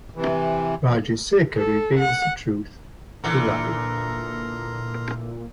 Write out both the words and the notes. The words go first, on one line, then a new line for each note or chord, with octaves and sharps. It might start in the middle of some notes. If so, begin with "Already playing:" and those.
Rajasekhar reveals the truth to Ravi.
C3 E3
A4
F#5
A#2 D3 E3 A#4 A#5 C6